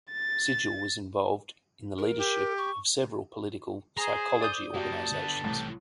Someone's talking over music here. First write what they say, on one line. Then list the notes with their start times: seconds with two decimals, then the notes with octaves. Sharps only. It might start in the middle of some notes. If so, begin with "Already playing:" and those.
Sigel was involved in the leadership of several political psychology organizations.
0.12 A6
1.98 A#4
2.18 G4
2.58 C#6
3.97 G#4 C5 A#5
4.41 D5 D#6 G6
4.75 F#3 A#3 E4 G4 A5
5.12 D3 B3
5.44 C2 A2 E3 G4